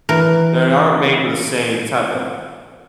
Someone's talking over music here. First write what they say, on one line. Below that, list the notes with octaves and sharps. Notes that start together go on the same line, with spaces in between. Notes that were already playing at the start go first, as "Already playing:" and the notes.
They aren't made with the same type of,
E3 A#4